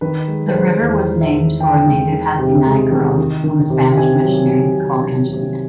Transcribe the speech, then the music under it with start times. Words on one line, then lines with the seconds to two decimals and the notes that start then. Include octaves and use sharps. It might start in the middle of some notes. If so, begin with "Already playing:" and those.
The river was named for a native Hasinai girl whom Spanish missionaries called Angelina.
0.01 D#3 B4
0.28 G#3
0.49 C5
0.54 G#3 B4
0.80 E2 A#4
1.07 G#3
1.21 E5
1.34 D#3
1.60 D#3 G5
1.87 G#3
2.12 D#3
2.39 C3
2.66 G#3
2.91 D#3
3.18 D#3
3.44 D#3
3.70 C3
3.97 C3 G#5
4.23 F#3
4.50 C3
4.75 C3
5.02 D#3
5.28 C3